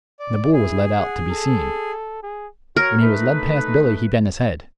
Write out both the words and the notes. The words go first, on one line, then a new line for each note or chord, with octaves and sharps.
And the bull was led out, to be seen. When he was led past Billy he bent his head.
D5
E4 G#4
F#5
A4
G#4
F#4 A#4 C#5
A3 D#4 B4